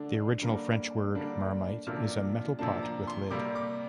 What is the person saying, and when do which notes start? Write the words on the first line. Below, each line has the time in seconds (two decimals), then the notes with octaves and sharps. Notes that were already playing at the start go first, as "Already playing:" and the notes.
The original French word "marmite" is a metal pot with lid.
Already playing: D3 A3 D4
0.42 D3 G3 A#3 D4
1.15 D3 G3 A#3 D4
1.87 C3 F3 A#3 D4 F6
2.59 C3 F3 A#3 D4 A5
2.83 A#5
3.07 C6
3.30 C3 G3 A#3 D6
3.55 D6